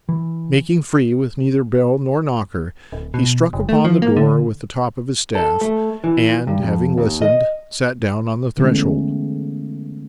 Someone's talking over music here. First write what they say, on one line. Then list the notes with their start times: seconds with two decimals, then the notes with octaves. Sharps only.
Making free with neither bell nor knocker, he struck upon the door with the top of his staff, and, having listened, sat down on the threshold.
0.09 E3
2.92 D1
3.14 B2
3.53 F#1
3.69 A3
3.85 F3
4.02 A#3
4.17 D3
5.35 A4
5.61 A3
6.04 E3
6.47 G2
6.63 F2
6.97 D#2
7.22 D#5
8.57 D3 E3 G#3 A3 B3 C#4